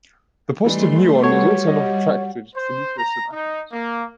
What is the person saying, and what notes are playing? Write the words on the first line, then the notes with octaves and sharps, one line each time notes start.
The positive muon is also not attracted to the nucleus of atoms.
E3 G3 A3 D#4 C6
G3 F#4 A4 B4 C#5 C#6
D#5 F#5
C5
A#5
D#4
A#3